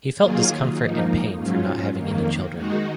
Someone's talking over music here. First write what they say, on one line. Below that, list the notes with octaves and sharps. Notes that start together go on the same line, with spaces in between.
He felt discomfort and pain for not having any children.
D#3 F#3 A#3 F4 G#4
G#2 F3 A#3 D#4
G#2 F#3 C#4 F4
F2 D#3 A#3
D#3 G#3 D#4 F#4